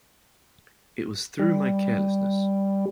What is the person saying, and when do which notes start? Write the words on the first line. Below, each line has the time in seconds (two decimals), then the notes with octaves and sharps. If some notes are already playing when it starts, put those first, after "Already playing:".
It was through my carelessness.
1.39 G3